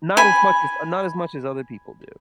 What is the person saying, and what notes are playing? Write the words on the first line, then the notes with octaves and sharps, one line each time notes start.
Not as much as uh, not as much as other people do,
G#5 B5